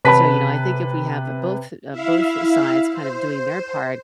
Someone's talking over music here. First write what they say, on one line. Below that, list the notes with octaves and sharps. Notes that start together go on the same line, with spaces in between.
So, you know, I think if we have both, uh, both sides kind of doing their part,
C3 B4 C#5 A5 B5 B6
E4 E5 F5
C5